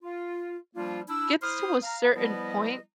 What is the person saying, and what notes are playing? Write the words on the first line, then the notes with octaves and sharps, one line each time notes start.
gets to a certain point
F4
F3 G3 A#3 D4 F4
D4 E4 E6
E4 C5 C6 D#6 F6
F5 A#5
F3 G3 B3 E4 B4 D#5